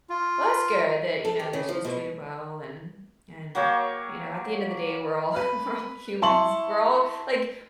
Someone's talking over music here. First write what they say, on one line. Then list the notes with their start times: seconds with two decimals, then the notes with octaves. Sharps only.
Well, that's good that, you know that she was treated well and and, you know, at the end of the day, we're all we're all humans. We're all, like
0.10 F4
1.25 A4
1.39 G4
1.53 C#3
1.69 F3
1.85 B2
3.55 F#3 A#3 C#5 G5
5.36 B4
6.22 E4 A5 C6 C#6 F#7